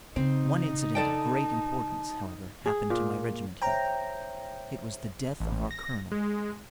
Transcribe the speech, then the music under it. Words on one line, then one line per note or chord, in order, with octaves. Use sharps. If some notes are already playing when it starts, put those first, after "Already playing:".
One incident of great importance, however, happened to my regiment here. It was the death of our colonel.
C#3 C4 D#4
A4 D5 G5 A5
G#4
A#2
C5 C#5 E5 G5 A#5
A1
A#6
G#3